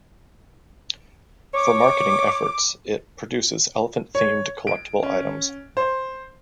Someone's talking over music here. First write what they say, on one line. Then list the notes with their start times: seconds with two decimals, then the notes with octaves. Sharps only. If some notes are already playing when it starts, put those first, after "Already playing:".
For marketing efforts it produces elephant-themed collectible items.
1.54 C#5 D6
4.15 C#5
4.67 D7
5.03 C#4
5.77 C5